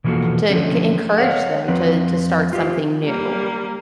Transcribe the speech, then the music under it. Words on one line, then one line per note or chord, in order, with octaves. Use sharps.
to c encourage them to to start something new,
B2 E3 F3 A#3 F#4 A4
D3 F3 A3 C#4
C#5 F5 F#5
F3 C4 B4
F4 G4 C5
G3 A#3